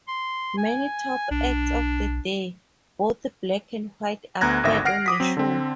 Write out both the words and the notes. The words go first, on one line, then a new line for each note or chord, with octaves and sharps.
Many top acts of the day, both black and white, appeared on the show.
C6
G#5
B1 D4
D2 B3 A#5 F#6 G#6 A#6
G#1 D2 D#3 E5 A#6
F#5 F6 A#6 C7 D7
D6 D#6 B6
F#3 C4
D3 C4